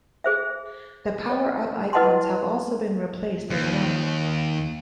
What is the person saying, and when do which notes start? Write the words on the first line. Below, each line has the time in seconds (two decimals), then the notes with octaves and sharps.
The power-up icons have also been replaced as well.
0.24 G#4 C5 E5
1.30 C#5 D#5
1.93 E4 B4 D#5 F#5 A5 C6
3.50 D#2